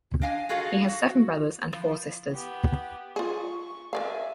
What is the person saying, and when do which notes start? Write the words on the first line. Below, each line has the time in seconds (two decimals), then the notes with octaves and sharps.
He has seven brothers and four sisters.
0.22 D4 D#5 F5 G#5
0.49 F4 F#4 G#4 A4 D#5 F5
0.88 F#4
1.73 F3
2.32 B3 G4
3.16 F4 G#4 C#6
3.93 A#4 D5 E5 F5 G#5